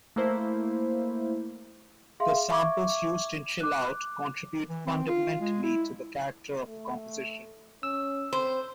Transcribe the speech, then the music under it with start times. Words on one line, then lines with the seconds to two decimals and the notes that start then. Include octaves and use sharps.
The samples used in "Chill Out" contribute fundamentally to the character of the composition.
0.16 A3 A#3 E4 C5
2.20 G#4 E5 F5 C6
2.49 E5 C#6 D6 G#6
3.60 D6 F#6
4.68 E3
4.86 C4
5.08 F4
5.41 G#3
5.63 E4
6.67 A3
7.83 C#4 E6
8.33 C4 C5